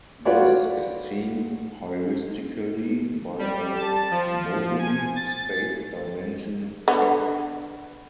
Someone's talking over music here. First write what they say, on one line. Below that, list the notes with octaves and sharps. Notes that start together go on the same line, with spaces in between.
This is seen heuristically by a moduli space dimension check.
F4 F#4 B4 C#5 D5
G3
A5
F3
G#5
A6
D3 B3